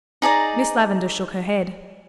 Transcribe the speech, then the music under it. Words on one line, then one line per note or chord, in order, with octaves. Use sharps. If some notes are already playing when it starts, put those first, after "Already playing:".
Miss Lavendar shook her head.
D#4 G#4 D5 A#5